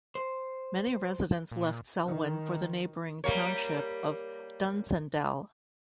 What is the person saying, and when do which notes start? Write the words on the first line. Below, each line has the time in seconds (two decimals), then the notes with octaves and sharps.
Many residents left Selwyn for the neighbouring township of Dunsandel.
0.15 C5
1.52 A#2
2.06 D#3
3.24 G3 A#3 C#5